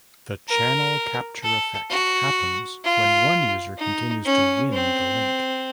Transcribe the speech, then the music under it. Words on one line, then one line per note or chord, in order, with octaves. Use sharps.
The channel capture effect happens when one user continues to "win" the link.
A#4
A4
F#4
F4
D#4
C#4
C4